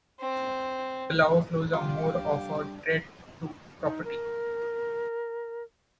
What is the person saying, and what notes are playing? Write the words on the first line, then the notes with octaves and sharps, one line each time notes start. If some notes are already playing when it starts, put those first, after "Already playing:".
The lava flows are more of a threat to property.
C4
G3 D4 F4 G4 F5
D#4
A#4